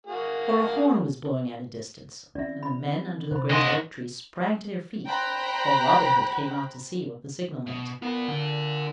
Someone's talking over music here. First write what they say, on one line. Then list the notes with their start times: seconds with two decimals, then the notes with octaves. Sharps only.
For a horn was blown at a distance, and the men under the great oak tree sprang to their feet, while Robin Hood came out to see what the signal meant.
0.07 A#3 F#4 G#4
2.35 E3 C4 C#4 D5 E5
2.63 B5
3.31 C3 C5 B5
3.50 D3 D4 D#5 C6
5.07 C5 G5 A#5 B5 F#6
7.66 B2
8.02 B3 F4 A#4
8.28 D3